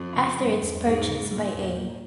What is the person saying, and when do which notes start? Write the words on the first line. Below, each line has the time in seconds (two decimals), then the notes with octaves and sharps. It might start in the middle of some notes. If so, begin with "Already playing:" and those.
After its purchase by A.
Already playing: F2
0.16 C#3
0.39 G2 G3
0.62 E2
0.85 E2 G#2
1.08 C#3
1.31 A#2 G3
1.55 E2
1.77 A#3